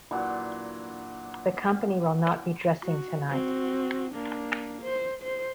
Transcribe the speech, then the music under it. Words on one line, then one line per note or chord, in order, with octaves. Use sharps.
The company will not be dressing tonight.
A#2 E3 F#3 D4
F#4
C4 F#4
A#3 D4
C5
C5